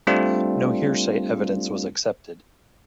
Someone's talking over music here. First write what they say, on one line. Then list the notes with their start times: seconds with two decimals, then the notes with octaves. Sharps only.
No hearsay evidence was accepted.
0.07 G3 A3 C4 D4 F4